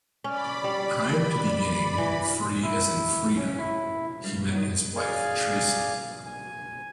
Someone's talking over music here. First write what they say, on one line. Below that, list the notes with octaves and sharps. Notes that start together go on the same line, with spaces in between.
Prior to beginning "Free as in Freedom" he met his wife Tracy.
C#4 D5 B5
G3
E3
E4
C#4
E4
G2
D#3
G#4 D5 F5 G#5
G#5